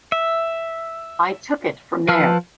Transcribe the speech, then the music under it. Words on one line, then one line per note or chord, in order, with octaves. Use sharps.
I took it from there.
E5
F3 B4 A5 E6 F6